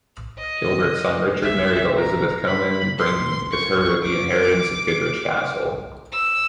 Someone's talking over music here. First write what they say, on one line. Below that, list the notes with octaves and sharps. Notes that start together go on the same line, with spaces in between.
Gilbert's son Richard married Elizabeth Comyn, bringing with her the inheritance of Goodrich Castle.
D#5
E5
A#5
B5
C6
C#6
D6
E6